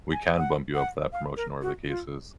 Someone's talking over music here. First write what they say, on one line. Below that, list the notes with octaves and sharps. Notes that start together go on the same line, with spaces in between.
we can bump you up for that promotion," or whatever the case is.
G#5
F#5
F#5
F5
A#4
F#4
F4